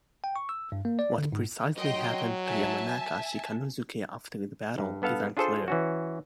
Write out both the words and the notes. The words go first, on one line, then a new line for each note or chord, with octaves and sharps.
What precisely happened to Yamanaka Shikanosuke after the battle is unclear.
G5
C#6
E6
G2
A#3
D5
D3
G#2
F#3 D#5 G5 C6
E5 G#5 A5
G2
G2 B3 A4 F5
D4 F4 G#4 A4 C5
E3 C#4 F#4